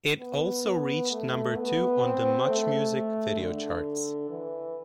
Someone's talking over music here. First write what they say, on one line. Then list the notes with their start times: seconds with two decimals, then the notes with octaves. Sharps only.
It also reached number two on the "MuchMusic" video charts.
0.20 B3
1.10 A3
1.56 B3
2.02 C4
2.48 A3
3.39 D3
4.30 E3